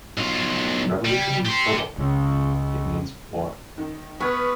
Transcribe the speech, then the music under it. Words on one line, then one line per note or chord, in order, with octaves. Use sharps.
Revolution means struggle: it means war.
B1 F4
G3
G4 C6
C#2
D#3
B3 B4 C#6 F6 G#6